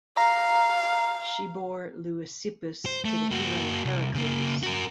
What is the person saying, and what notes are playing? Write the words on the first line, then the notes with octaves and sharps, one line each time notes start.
She bore Leucippus to the hero Heracles.
F5 A#5
C5
A3
A#3 F#4
C2
C#3 A#3
F#4 A#4